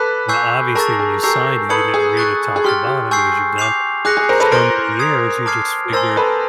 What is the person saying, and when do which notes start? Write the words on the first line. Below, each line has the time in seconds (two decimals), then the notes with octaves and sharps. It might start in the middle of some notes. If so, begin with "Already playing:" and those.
And obviously when you signed it, you didn't read it top to bottom because you've done it so many years you just figured
Already playing: A4 B4 D6 F#6 B6
0.29 G#5 C#6 E6 G6 C7
0.75 G#4 A#4 A5 C#6 E6 A6
1.00 G#4
1.23 G4 A4 A#5 C#6 E6 G6 C7
1.69 A4 B4 D#6 G#6 C#7 F#7
1.94 G#4
2.17 C#6 F#6 A6
2.56 G#4
2.64 G4 C6 F6 A6
2.87 G4
3.11 G#5 C#6 E6 G6 C7
3.58 D6 G6 C7 F7
4.05 G#4 D6 F#6 A#6 C#7
4.17 G#4
4.29 A#4 C5
4.40 A4 B4
4.51 A#4 C5 C6 F6 A6 D7
4.99 D#6 G#6 C7 F7
5.46 A5 D6 F6 G#6 C7
5.93 A#4 C5 G#5 C6 E6 A6
6.16 A4 B4